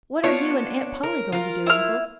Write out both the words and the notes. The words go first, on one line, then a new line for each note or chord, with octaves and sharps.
"What are you and Aunt Polly going to do, Uncle?"
B3 D4 F4 C#5
A#4
F4 A#4
E4 F6